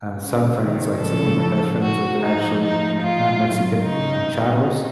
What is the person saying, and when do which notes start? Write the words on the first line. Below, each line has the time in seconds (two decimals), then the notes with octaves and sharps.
uh, some friends, like, some of my best friends are they're actually, uh, Mexican, uh, charros,
0.21 C#3
0.61 C3 D#3
1.01 C#3 F3 A4
1.82 F#4
2.22 F3 A3 D#4
2.62 D#4
3.02 F4
3.42 D#3 F#3
3.82 C#3 D#4
4.23 C3 D#3